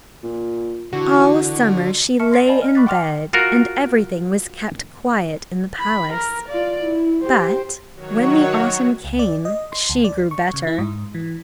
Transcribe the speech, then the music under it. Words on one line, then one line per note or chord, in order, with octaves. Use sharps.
All summer she lay in bed, and everything was kept quiet in the palace; but when the autumn came she grew better.
A#2
D3 E3 F#4
E5 A5 C#6 F6 C#7
C6 A#6 C7 D7
D5 D#5 F#5 G#5 A5 B5
F6
B5 C#6 D6 F#6 A6 B6
F#5 G5 C6 D6 F6 F7
F4 F#4 A#4
B5
A#4
F4 D5
E4
G4 C5
D#3 F#3 F#4 C#5
C#2
D5
D#5
C6
D2
D5
C#6
C#3
E4
G#2
E3